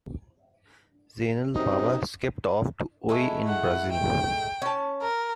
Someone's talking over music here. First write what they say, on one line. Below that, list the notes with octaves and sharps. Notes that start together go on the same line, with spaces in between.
Zeinal Bava skipped off to Oi in Brazil.
F#2 C3 D#4
G#3 A3 E4
F#5
G5
C#4 A5
A#4